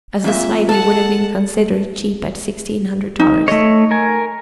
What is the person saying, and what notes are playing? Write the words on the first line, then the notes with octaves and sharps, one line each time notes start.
As a slave, he would have been considered cheap at sixteen hundred dollars.
F2 A#2 E5
A4 F#5 A5
D#4
A3 C#5 D#5
A#4 G#5